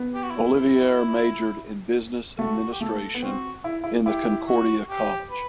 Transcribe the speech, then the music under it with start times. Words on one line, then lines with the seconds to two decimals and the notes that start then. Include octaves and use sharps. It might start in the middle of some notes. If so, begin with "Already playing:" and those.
Ollivierre majored in Business Administration in the Concordia College.
Already playing: B3
0.14 G4
0.22 F#4
0.31 E4
2.39 A3 F#4
2.72 G4
2.80 A3 A4
3.14 B3
3.22 C4 F#4
3.64 E4
3.84 E4
4.06 E4 G4
4.47 F#4
4.90 G4
5.31 B4